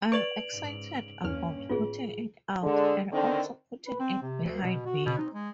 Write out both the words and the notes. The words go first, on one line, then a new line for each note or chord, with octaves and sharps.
I'm excited about putting it out and also putting it behind me.
B4 D5 C#6 A6 D7 F7 F#7
G#2 C#3
E2 G2 A#3 C#4 F6
G#1 A2 B3 F4 G#4
D3 G#3
D3 D#3 C4
B4
C4
C3
D2
B2
F#4
B2
D#4
G#3